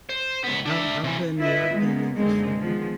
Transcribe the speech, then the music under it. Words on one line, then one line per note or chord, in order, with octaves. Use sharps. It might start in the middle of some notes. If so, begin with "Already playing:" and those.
I've I've been there, I've been there for sure.
C5
C#2 B3
D4 E5
C3 E3
E4 F4 A4 B4 D#5 E5
G#3 A#3 B3
F#2 D3 G#3 A#3 C4 D#4
D#3 F3 G#3 B3